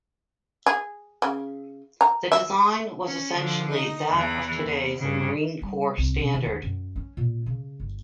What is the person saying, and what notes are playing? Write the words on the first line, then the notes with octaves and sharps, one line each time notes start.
The design was essentially that of today's Marine Corps standard.
G#4
C#3
A#5
E5
C#4
D3 F3
D#4
E2 E3
E2
G2 C#3
G3
C2
C3
D#3
D#2
F#2
C#4
A#2
C#3
G1